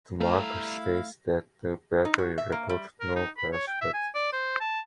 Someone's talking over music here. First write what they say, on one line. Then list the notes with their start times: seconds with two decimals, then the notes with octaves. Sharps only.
The marker states that the battery reported no casualties.
0.21 G3 A3 E4 F5 A#5
2.05 D#4
2.18 F#4
2.38 E5
2.52 A#3
2.69 G3
3.00 A#4
3.16 D#4
3.38 B5
3.53 C#5
3.67 G5
3.81 E5
3.94 G#5
4.15 D5
4.33 C5
4.60 A5